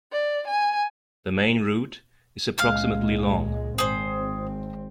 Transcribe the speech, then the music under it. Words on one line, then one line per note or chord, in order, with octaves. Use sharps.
The main route is approximately long.
D5
G#5
C#2 A#2 G#3 F5 F6 F#6
G#1 C4 G#4 C5